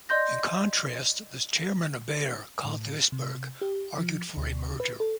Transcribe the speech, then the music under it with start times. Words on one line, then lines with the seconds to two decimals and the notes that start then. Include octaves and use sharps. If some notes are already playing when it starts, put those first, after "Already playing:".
In contrast, the chairman of Bayer, Carl Duisberg, argued for a merger.
0.09 D5 D#5 C6 G6 A#6
2.65 A2
3.12 C3
3.61 G4
3.98 F3
4.37 D2
4.80 B4
5.00 A4